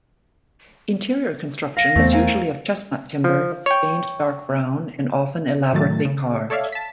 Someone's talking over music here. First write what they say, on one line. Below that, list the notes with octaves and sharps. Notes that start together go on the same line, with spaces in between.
Interior construction is usually of chestnut timber, stained dark brown and often elaborately carved.
F5 A#6
E2 E3 A3 B3 C4
A#4 F5 G#5
F3
C#5 G5
A2 D#3 F#3 A3 A6
C#3
A4 C#5 D5 E5 F5
A5 B6